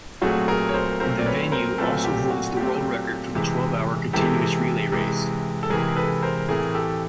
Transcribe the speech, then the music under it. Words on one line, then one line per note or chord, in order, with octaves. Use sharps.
The venue also holds the world record for the twelve-hour continuous relay race.
A#2 F#3 A3 C4 F#4 G#4
G#4 A#4
C#5
A#4 C5
A#2 F#3 A3 C4 A#4 C5
D5
B4 C#5
C#5
A#4 C5
A#2 F#3 A3 C4 A4 B4
G4
F#4
A#2 F#3 A3 C4 G4
C3 E3 G#3
C3 E3 G#3 G4 A4
C3 E3 G#3
A4
C3 E3 G#3 G#4 A#4
A4 B4
A#4 C5
A2 E3 A3 C4 G#4 A#4
G4 A4